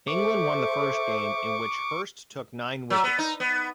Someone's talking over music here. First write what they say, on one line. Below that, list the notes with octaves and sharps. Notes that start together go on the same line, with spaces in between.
England won the first game, in which Hirst took nine wickets.
A4 C5 E5 C#6 D6
F#3
B3
D#4
B3